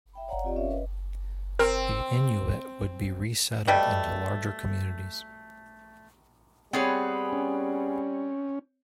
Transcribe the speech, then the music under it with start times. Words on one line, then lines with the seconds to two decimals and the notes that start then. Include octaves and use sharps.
The Inuit would be resettled into larger communities.
0.13 E5 G5 B5
0.28 C#5 D5 F5 F#5 A#5
0.44 C4 F4 G4 D5 D#5
0.56 C#4 A#4 C#5 E5 F5
0.70 B4 D#5
1.59 C4 A#4
3.68 B2 G3 A3
6.73 G3 B3 C4 G#4 B4 C#5
7.33 C#4